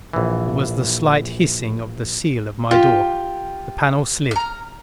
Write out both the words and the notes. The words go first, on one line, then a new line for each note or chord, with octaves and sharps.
There was the slight hissing of the seal of my door. The panel slid.
A#1 E3
F4 G4
A#5 F6